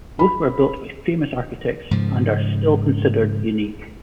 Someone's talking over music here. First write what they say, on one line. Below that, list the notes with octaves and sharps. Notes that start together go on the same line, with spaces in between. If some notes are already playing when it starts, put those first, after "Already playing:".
Both were built by famous architects and are still considered unique.
B5
G#2 C#3 F3